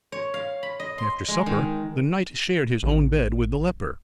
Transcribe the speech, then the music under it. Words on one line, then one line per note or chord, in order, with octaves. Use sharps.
After supper the knight shared his own bed with the leper.
C#5
F5
B5
D#5
C6
G#3
D#3
A1